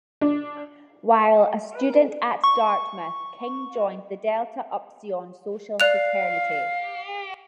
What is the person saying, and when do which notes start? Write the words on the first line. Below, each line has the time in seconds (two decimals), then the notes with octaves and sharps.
While a student at Dartmouth, King joined the Delta Upsilon social fraternity.
0.21 D4
2.44 C#6
5.80 D5 F5 F#6 F7